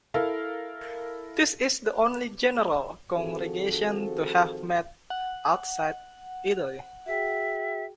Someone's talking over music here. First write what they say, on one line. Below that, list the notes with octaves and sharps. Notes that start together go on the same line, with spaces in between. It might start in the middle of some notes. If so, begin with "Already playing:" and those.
This is the only General Congregation to have met outside Italy.
E4 A4 A#4 F5
D#3 F3 C4 F#4 G#4 A4
F#5
F#4 G#4 E5 G5